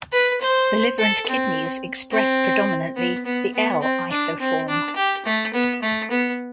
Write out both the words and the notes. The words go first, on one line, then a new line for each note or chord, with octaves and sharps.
The liver and kidneys express predominantly the L isoform.
B4
C5
A4
C4
C4
B3
B3
B3
C4
D4
C4
D4
G4
A3
B3
A3
B3